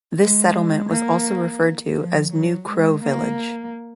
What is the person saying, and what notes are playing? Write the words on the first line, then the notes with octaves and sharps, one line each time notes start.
This settlement was also referred to as New Crow Village.
G#3
A#3
F3
F#3
G#3
A#3